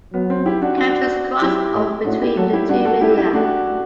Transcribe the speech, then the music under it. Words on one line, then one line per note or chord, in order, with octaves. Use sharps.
Characters cross over between the two media.
F#3 B3
C4
E4 G4
D4 F#4
D4 F#4
F#3 E4 G4
A2
A2 D4 F#4
E4 G4
F#3 F#4 A4
E4 G4
G3 D4 F#4
F#4 A4
A3 E4 G4
E4 G4
A3 D4 F#4